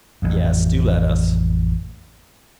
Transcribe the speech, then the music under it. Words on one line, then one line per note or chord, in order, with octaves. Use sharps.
"Yes, do let us."
A1 F2